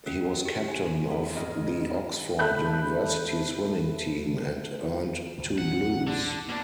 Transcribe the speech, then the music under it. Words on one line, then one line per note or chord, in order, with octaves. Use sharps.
He was Captain of the Oxford University Swimming Team and earned two Blues.
C#4
G4
G#5
A4
F2 G#2 D#5 F6
A4 E5 B5 F#6 G6
C#2 G2 D#3
A#1 E2 F#5
D3 D4
B2 A#3 D4